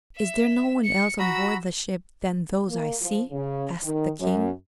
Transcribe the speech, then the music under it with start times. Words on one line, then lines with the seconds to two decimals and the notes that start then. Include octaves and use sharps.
"Is there no one else on board the ship than those I see?" asked the King.
0.16 E5
0.84 C#7
1.19 F#4 A#5 B5 E6
2.69 A#3
3.01 F3
3.31 C#3
3.82 D#3
4.20 F#2